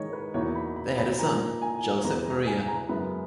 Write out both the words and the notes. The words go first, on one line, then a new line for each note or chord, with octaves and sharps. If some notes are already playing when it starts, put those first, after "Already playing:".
They had a son, Josep Maria.
Already playing: G#2 D#3 G#3 D#4 C#5 D#5
B4
E2 B2 A#3 D#4 C#5
B5
B5
B5
A#2 A#3 D#4 A#5
G#5
E2 C#3 G#3 B3 A#5
A#5
G#5
A#5
F#2 C#3 G#3 B3 B5